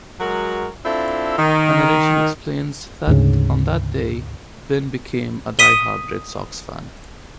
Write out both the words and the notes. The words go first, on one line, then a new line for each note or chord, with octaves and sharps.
A narration explains that on that day, Ben became a die-hard Red Sox fan.
F#3 G#3 F#4 A#4
C4 D4 E4 F4 A4
D#3
D2 G#2 C#3
D#6 B6 D#7 G7